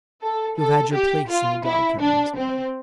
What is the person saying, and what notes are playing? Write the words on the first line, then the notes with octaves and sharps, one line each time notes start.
You have had your place in the dog-kennel as well.
A4
A4
G4
F4
E4
D4
C4